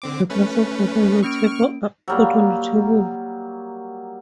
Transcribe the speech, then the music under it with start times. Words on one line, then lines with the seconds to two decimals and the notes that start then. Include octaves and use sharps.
A glass of water and a taper are put on the table.
0.02 D3 C4 D6
0.30 A3 C#4 B4
1.23 A#3 C#4 C#6 F6 D7
2.08 F#3 G3 A#3